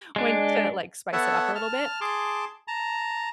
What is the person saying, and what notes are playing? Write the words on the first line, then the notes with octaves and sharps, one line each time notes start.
when to, like, spice it up a little bit.
G#3 D4
B3 A4 C#5 E5 F#5 A5
A5 F6
G#4 A5 C6 D6
A5 A#5